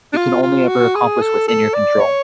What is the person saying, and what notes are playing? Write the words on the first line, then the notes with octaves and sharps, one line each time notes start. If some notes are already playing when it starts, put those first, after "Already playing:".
You can only ever accomplish what's in your control.
D4
F4
F4
F#4
G#4
A4
A4
D5
C#5